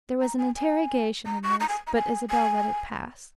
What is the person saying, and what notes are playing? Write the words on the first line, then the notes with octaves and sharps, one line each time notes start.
There was an interrogation in this; but Isabel let it pass.
A#5
G#5
G#5
A#5
C#6
A#5
G#5
A#5
G#5
G#5